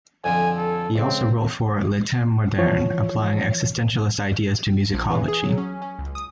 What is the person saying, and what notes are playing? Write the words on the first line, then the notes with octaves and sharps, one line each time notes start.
He also wrote for "Les Temps modernes", applying existentialist ideas to musicology.
F2 D3 F3 G#5
A4
C#2 C4
E3 F3 C#5
A#1
E3
G#4
F#3
C#4
C#4
C#2
D#6